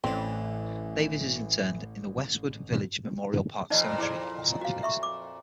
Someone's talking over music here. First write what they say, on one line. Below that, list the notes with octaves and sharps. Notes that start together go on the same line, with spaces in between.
Davis is interred in the Westwood Village Memorial Park Cemetery in Los Angeles.
A1 A2 E3 C4 D4
F2 A#2 D#4 D5 D#5
E4 G#4 D5
F#4 F5
E5 C6 C#6
D6